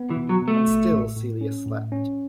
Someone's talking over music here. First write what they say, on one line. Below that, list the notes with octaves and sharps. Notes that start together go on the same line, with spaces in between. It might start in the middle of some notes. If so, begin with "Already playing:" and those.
And still Celia slept.
Already playing: B3
E3
B2
F#3
B2
A3
A1
A2
A2
C#4
A2
C#4